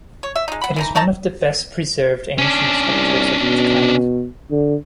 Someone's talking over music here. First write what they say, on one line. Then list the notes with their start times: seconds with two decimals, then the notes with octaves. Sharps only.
It is one of the best preserved ancient structures of its kind.
0.23 C#5
0.36 E5
0.48 G#3 D#4
0.61 F#5 B5
0.76 E3 D#4 A#5
0.95 A3 D#4 A5 A#5
2.38 C#4 D4
2.87 C2
3.42 B2
4.51 D3